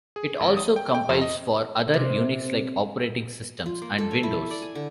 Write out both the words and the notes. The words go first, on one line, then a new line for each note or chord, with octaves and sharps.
It also compiles for other Unix-like operating systems and Windows.
G#4
G#1
D#6
G5
G5
F2
D#5
C3
F4
A#3
A4
C#5
E4
D5
G#5
D3